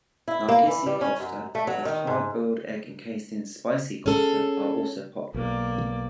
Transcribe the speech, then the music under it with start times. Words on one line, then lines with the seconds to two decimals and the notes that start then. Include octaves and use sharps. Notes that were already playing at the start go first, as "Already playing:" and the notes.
Nargisi kofta with hard boiled egg encased in spicy kofta are also popular.
0.28 E4
0.49 A#3
0.67 E3
0.86 G3
1.01 C#4
1.20 F#2
1.55 A3
1.67 F#3
1.85 D#3
2.07 G#2
4.06 C#4 G#4 A4
5.34 B1 A#3 D5